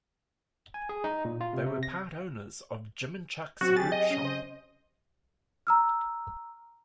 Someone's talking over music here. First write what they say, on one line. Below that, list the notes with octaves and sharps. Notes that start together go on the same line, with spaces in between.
They were part owners of Jim and Chuck's Boot Shop.
G#5
G#4
D#4
A#2
F4
C3
C3
A#6
F#3 C4 F#4
G4 G#4 A6
D#5
C#4
C#3 C5
A#5 E6 F6